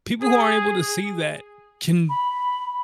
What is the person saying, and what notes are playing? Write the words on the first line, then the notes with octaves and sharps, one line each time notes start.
people who aren't able to see that can
G#4
B5